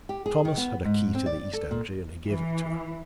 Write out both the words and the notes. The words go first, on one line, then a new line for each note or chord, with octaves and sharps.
Thomas had a key to the east entry, and gave it to her.
G4
G#4
D#3
B3
G#2
C4
D5
A4
A#2
E3